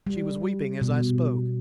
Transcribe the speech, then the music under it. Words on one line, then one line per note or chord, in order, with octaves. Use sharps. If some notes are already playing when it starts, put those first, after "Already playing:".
She was weeping as I spoke.
G3
B2